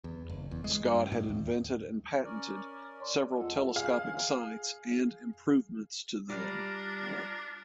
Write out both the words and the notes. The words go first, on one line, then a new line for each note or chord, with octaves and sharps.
Scott had invented and patented several telescopic sights and improvements to them.
E2
F#1
E2
G#3
G2
A2
D#2
C#4 A#4 D5
C#5 D5 C6
F2 G#3 F4 A4 F#5
G#4 F5
G3 D4 F4 A#5 D6